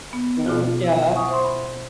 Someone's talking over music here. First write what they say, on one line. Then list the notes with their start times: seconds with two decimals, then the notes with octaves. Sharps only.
soon, yeah.
0.13 B3
0.46 B2 F4 F#4
0.84 E4
1.14 F#5 G#5 C#6 D#6
1.28 C5 E5 C6
1.44 B5